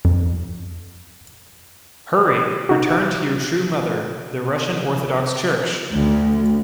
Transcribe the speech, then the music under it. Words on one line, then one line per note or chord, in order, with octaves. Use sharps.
Hurry, return to your true mother, the Russian Orthodox Church!
F2
D#4 F#4
D2